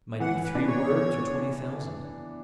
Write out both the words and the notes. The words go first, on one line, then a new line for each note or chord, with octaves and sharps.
It might be three words or twenty thousand.
E3 F#5
B4
B3 D4
C#5
E3